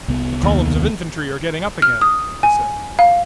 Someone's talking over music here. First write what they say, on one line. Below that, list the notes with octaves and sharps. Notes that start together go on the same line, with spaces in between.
"The columns of infantry are getting up again," he said.
C2 B3
D#2
F6
D#6
G#5
F5